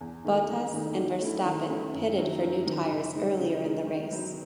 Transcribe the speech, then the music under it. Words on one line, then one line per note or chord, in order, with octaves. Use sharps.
Bottas and Verstappen pitted for new tyres earlier in the race.
E2
D#3 A3 D#4
E2
D#3 A3 D#4
D#3
A3 C#4 E4
D#3
A3 C#4 E4
F#2
D#3 F#3
F#2
D#3 F#3
C#3
G#3 D#4
C#3
G#3 D#4
D#3
F#3 B3